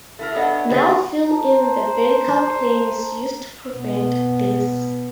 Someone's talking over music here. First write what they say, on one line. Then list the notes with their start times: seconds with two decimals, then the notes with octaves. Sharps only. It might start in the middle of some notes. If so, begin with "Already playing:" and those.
Null fill in the vertical plane is used to prevent this.
0.19 A3 E4 A#4
0.35 F#3 B3 D4 C#5 D#5 F#5
0.71 D3 E3 F#3 B3 D#4 G#4
1.27 C5 A5 A#5
3.74 B2 B3